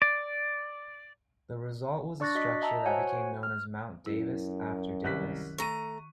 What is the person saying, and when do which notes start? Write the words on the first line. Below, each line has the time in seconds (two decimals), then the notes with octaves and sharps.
The result was a structure that became known as Mount Davis after Davis.
0.02 D5
2.20 D4 D5 C#6 F#6 A6 A#6
2.35 F#4 D#5 B6
2.61 D#5 E5 A5 A#5 E6
2.86 F#4 C5 C#5 F#5 G#5
3.43 F6
4.06 F#2 E4
5.04 C2 D#3 F#6 B6
5.58 A3 A#5 C#6 D#7